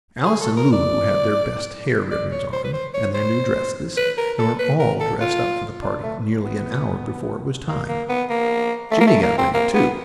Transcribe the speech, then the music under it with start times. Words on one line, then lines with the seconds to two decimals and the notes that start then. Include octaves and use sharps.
Alice and Lulu had their best hair ribbons on and their new dresses, and were all dressed up for the party nearly an hour before it was time. Jimmie got ready, too.
0.26 G#4
0.41 A4
0.57 A#4
0.72 D5
2.11 D5
2.32 C#5
2.53 C5
2.64 B4
2.73 C5
2.94 C#5
3.14 C5
3.97 B4
4.18 A#4
4.39 A4
4.59 B4
4.80 A#4
5.00 A4
5.21 F4
5.83 D4
6.03 A3
6.44 B3
7.68 A#3
7.89 A#3
8.09 B3
8.30 A#3
8.91 A3
9.00 A#3
9.07 A3
9.23 A#3
9.38 C4
9.54 A#3
9.74 B3